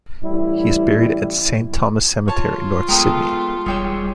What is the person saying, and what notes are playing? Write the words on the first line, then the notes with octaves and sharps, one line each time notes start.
He is buried at Saint Thomas cemetery, North Sydney.
A1 G3 E4
F4 C#5 A5
G#3 B3 A4 G5 A#5 D#6
D#1 G3 D#4 G#4 C#5 G5 E6